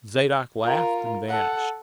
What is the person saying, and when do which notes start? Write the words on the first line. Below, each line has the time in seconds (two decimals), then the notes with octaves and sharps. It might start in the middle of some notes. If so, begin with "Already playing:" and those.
Zadok laughed and vanished.
0.63 F4 A#4
1.28 A4 F#5